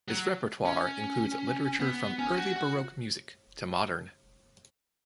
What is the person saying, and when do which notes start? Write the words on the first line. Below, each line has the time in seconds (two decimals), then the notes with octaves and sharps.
His repertoire includes literature from early baroque music to modern.
0.08 F#3
0.66 C#4
1.80 B3
2.19 C#4
2.37 F#4
2.56 F#4